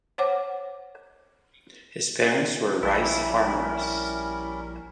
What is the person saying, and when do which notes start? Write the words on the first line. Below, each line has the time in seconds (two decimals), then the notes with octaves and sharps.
His parents were rice farmers.
0.18 C5 C#5 F#5 D6
2.83 A#1 G3 C#4 E4 A#4